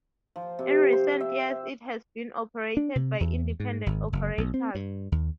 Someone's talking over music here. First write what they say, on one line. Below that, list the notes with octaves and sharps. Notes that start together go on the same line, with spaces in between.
In recent years it has been operated by independent operators.
F3
C3
C5 C6
E5
D4
C3
E2
G#2
G#1
F#1
B1
C4
G2
D#2